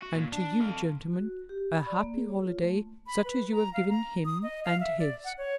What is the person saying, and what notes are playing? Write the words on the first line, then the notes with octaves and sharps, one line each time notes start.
And to you, gentlemen, a happy holiday such as you have given him and his!
F#4
A#2
D4
A4 F5
F#4
G4
B5
D5
A#3
G#4
C#5
F4
A3
B5
B4
A#5
F5
A#5
D#6
D#5
F5
E5
D5
F#5
C#5